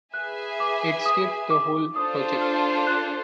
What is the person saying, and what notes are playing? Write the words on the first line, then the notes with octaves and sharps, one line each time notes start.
It skips the whole project.
G#4 B4 E5 G#5 F#6
D6
D#6
D6
D4 F4 A4 C5 D#6
F6
F#6